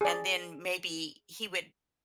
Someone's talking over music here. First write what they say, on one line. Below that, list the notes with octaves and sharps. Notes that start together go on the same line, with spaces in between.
and then maybe he would
G#4 D5